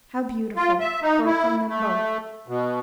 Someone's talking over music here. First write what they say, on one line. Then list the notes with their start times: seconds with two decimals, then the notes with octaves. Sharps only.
'How beautiful!' broke from them both.
0.56 F4
0.80 E5
1.02 D#4
1.25 E4
1.68 A3
2.48 B2